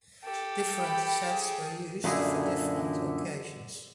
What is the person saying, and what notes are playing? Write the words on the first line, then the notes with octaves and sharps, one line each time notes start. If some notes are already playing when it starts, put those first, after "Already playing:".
Different sets were used for different occasions.
G4 A4
G5 B5
G#4
F#2 A#2 D3 D#4 E4 G#4